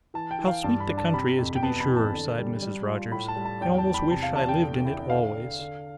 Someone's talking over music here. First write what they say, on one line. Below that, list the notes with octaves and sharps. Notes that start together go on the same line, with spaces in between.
'How sweet the country is, to be sure!' sighed Mrs. Rogers; 'I almost wish I lived in it always.'
E3 A5
G5
E3
F5
G2 A5
B5
D4
A5
C3 B5
F2
G5
B3 A5
B5
E3
A5
D3
G3
G3
F4
A2 B5
A5
G3
A5
E2 G5
A5
E2
B5
C3 A5
F5
E2 A5
G5
D3
E4
D3 F5
D3
D3